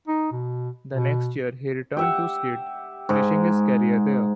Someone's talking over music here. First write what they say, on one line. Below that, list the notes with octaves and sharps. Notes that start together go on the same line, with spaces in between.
The next year he returned to Skeid, finishing his career there.
D#4
B2
B2
G4 E5 F#5
G#2